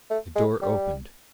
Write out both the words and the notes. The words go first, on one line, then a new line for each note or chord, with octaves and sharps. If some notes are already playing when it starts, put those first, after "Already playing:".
The door opened.
A3
G#3
G3